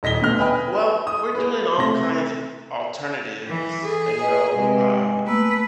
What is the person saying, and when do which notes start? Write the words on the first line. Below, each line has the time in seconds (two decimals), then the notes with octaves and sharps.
Well, we're doing all kinds of alternatives, you know, um,
0.03 D#1 D#5 A#6 B6 G7
0.22 D2 B2 F6
0.38 B4 D#5 G5 G#5 B5
1.07 D#6
1.35 G#4 B4
1.78 C3 A3 A#6
3.47 E3
3.85 G#4 A4
4.19 B4 D#5 G#5
4.56 C3 G#3
5.27 A3 A#3 B4 E6